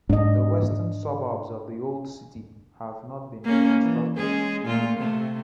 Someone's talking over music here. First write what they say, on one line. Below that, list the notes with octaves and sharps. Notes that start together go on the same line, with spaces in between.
The western suburbs of the old city have not been reconstructed.
G#2 D4 D#5
A#3 C#4
E3
G#3 C#4 G#4
A#2 A3 F4
C3 A3